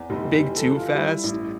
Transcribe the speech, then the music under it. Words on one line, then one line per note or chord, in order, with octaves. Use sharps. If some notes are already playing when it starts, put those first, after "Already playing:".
big too fast.
Already playing: E2
F1 G4
E3 G4
A4
E3
F4
G3 E4
A1